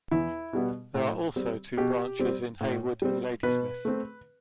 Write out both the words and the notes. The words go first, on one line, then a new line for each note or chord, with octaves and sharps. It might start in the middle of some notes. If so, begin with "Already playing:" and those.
There are also two branches in Hayward and Ladysmith.
E2 E4
B2 G3 B3
A2
G3 C4
B2 G4
G3 C4
A2
G3 C4
B2 B4
A3 C4